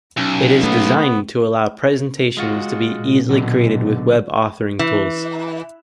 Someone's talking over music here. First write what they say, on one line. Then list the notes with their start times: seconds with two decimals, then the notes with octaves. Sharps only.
It is designed to allow presentations to be easily created with web authoring tools.
0.17 B1 C#4
0.63 A3 B3
2.37 G#3 F4 F#4
2.96 A#2
3.29 B2 D3 F#3
4.79 E3